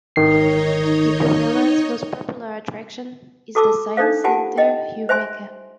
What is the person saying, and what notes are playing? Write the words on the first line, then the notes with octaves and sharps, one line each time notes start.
Tikkurila's most popular attraction is the science center Heureka.
G#1 D#3 D#4 C#5 D#5 C7
F#4 A4 A5 D6 E6
D4 D#4 A4 C5 F5
F4 G4 F#5 G#5 A5
D#5 G5
C5 E5 G#5 C6